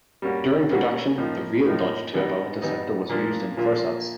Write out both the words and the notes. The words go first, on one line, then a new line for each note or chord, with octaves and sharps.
During production, the real Dodge Turbo Interceptor was used in close-ups.
G3 A#3 C#4 F#4
G3 A#3 C#4 F#4
A2 F3 A#3 D#4
A2 F3 A#3 D#4
E3 G3 B3 D#4
E3 G3 B3 D#4
A#2 F3 A#3 D4 F4
A#2 F3 A#3 D4 F4